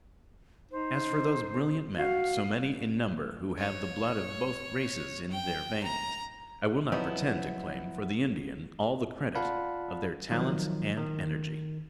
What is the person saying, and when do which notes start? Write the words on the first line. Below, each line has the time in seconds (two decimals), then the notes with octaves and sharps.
As for those brilliant men, so many in number, who have the blood of both races in their veins, I will not pretend to claim for the Indian all the credit of their talents and energy.
0.71 D#4 C5
1.97 F#4 F5
3.58 C#5
5.31 G5
5.84 A#5
6.92 F3 F#3 B3 C4 D#4 E4
9.35 F4 D5 F5 F#5 A5 B5
10.31 D#3 F3 F#3 D#4
10.97 D#3